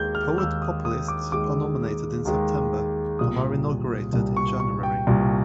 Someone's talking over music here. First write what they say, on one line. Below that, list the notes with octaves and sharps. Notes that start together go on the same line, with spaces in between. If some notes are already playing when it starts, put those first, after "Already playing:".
Poet Populists are nominated in September and are inaugurated in January.
Already playing: D#2 D#3 G#3 G6
F6
D#2 D#3 G#3 E6
D#6
D#6
D6
D#2 D#3 G#3 D6
D#2 D#3 G#3
C2 A#2 G3 D#6
C2 A#2 G3
C#6
C#6
G5
C2 A#2 G3